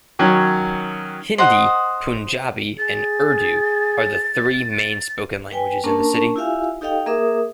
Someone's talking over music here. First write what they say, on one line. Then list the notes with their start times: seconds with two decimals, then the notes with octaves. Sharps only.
Hindi, Punjabi and Urdu are the three main spoken languages in the city.
0.19 D#3 F#3 C#4
1.38 C5 D#5 F#5
2.78 G#4 A6
5.51 B4 G5 G#5
5.84 A#3 C#4 D4 A#4 A5 C#6
6.36 E4 F4 G4 E5 F5 G#5
6.81 D#4 G4 A4 D#5 F5 G5
7.06 A#3 G#4 A#4 E5 D6 D#6